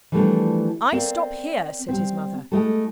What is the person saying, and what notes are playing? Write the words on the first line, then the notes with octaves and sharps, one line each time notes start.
'I stop here!' said his mother.
E3 F3 G3 A3 A#3 D4
C4 A#4 D5 F5
G3 C4
G#3 A3 E4 G4 A4